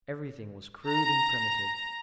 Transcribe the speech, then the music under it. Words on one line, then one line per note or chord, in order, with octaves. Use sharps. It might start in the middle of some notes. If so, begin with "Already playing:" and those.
Everything was crude and primitive.
A#5